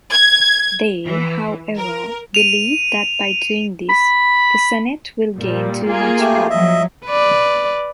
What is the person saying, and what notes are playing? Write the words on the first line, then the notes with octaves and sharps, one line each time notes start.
They, however, believe that by doing this, the Senate will gain too much power.
G#6
E3
A#4
D#7 F7
B5
A#2 G3
A#3 F4 G#4
A3 G4
F3 F#3 D#5 E5
B4 D5